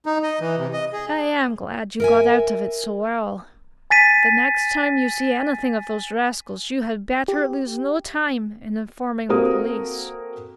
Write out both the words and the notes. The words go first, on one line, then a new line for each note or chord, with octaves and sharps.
"I am glad you got out of it so well. The next time you see anything of those rascals you had better lose no time in informing the police."
D#4
D#5
E3
C3
D#5
G#4
A#4 E5 G#5
G#5 A6 B6 D#7
G4
A#3 C4 F#4 A4 A#4 D#6